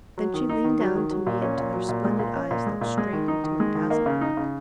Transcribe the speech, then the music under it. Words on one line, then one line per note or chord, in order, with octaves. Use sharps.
Then she leaned down to me until her splendid eyes looked straight into my dazzled ones.
F#3
D#3
D#4
D#3
F#3
D#3
F#3
A#2
C#4
A#2
F#3
A#2
G#3
A#2
C#4
A#2
G#3
A#2
G#3
D#3
D#4
D#3
G#3
D#3
A#3
C#3
D#4
C#3